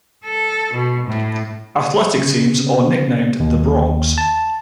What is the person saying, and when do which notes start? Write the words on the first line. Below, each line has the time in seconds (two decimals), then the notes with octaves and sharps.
Athletic teams are nicknamed the Broncs.
0.25 A4
0.74 B2
1.06 A2
2.18 C#3
3.40 D#2
4.18 A5